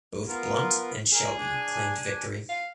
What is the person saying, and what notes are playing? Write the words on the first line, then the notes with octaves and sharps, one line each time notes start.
Both Blunt and Shelby claimed victory.
B3 F4 A#4
G#4 A#4
D4 G#5
F5